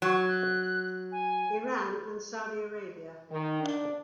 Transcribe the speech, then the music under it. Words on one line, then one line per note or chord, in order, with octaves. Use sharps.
Iran and Saudi Arabia.
F#3
F#6
G#5
D#3
D4